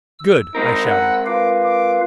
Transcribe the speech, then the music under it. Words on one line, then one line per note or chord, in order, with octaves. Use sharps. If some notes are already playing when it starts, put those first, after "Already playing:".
"Good!" I shouted.
E6
G#3 C4 D#4 A#4
F#5
F4 B4 F5 D6
D6